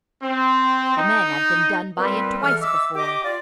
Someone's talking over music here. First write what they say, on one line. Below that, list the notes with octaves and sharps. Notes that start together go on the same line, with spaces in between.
The men have been done by it twice before.
C4
D#4
A#2 G3 C4 B4
E2 E3 A4 F6
D#5 E5 D6 E6
G4 D#5 D6
F4 D5